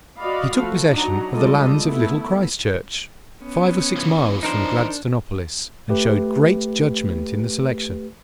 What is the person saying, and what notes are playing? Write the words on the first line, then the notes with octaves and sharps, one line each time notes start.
He took possession of the lands of Little Christchurch, five or six miles from Gladstonopolis, and showed great judgment in the selection.
F#4 D5 D#5 F5 B5
F3 A3 F#4
F#3 D4 D#4 F#4 A#5
G3 G#3 F4 A4 D5 D#5
A3 B3 E4
B3 C#4
E3 F3
D4 D#4 A#4 C5
A3 G4 B4